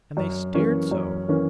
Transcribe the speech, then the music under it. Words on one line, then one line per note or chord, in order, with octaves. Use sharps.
And they stared so!
F#2
E3 A#3 C#4
F#2
E3 A#3 C#4